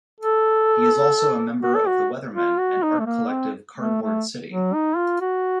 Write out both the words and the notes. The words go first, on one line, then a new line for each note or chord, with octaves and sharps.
He is also a member of The Weathermen and art collective Cardboard City.
A4
F#4
A4
F#4
F4
F#4
D#4
A3
A#3
C4
A3
A3
F#3
D#4
F4
F#4